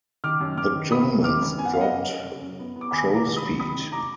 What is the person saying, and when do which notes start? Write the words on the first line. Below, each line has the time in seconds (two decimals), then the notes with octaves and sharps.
The Germans dropped "crowsfeet".
0.24 D#3 D6 F6
0.41 F#2
0.57 F#2 D6 F6
0.75 D#3
0.91 A#3 B5 D#6
1.07 A#3
1.24 D#3 D6 F6
1.41 F#2
1.57 B3 G#5
1.65 F#5
1.73 B3 F5
1.81 D#5 F#5
1.91 F#2
2.08 F#2
2.24 F#2
2.41 F#2
2.59 B3
2.76 B3
2.81 D6
2.92 D#2 G#5 B5
3.08 F1
3.14 A#5 D6
3.25 D#2
3.36 B5 D#6
3.43 F#3
3.59 D#3 B5 D#6
3.76 F1
3.92 A#5 D6